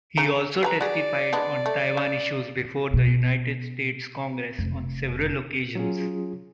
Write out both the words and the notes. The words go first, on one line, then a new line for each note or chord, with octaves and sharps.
He also testified on Taiwan issues before the United States Congress on several occasions.
C#3 A#5
G#3 B4 G#5 A#5
F#4 G#4 D5
G#3 B3 D4
A3
C#3
B2
F1
F#3 C#4 F4 G#4